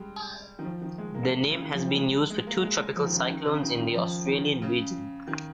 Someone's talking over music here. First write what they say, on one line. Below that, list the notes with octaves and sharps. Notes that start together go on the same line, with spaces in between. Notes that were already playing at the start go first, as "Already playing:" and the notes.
The name has been used for two tropical cyclones in the Australian region.
Already playing: G3 G#3
D#3
F3
D#3
G#3
A#3
C#3
D#3
F3
G3
G#3
G#3
A#3
G#3
F3
D#3
C#3
D#3
C#3
D#3
D#3
F3
D#3
C#3
D#3